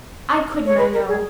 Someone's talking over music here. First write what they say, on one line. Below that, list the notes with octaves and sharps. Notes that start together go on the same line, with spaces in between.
I couldn't, I know.
C#5
B4
A#4
G#4